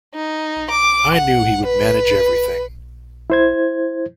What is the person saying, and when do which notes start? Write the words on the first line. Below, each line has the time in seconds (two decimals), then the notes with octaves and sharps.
I knew he would manage everything!
0.15 D#4
0.71 D6
1.15 F#5
1.66 B4
3.30 E4 C5 G#6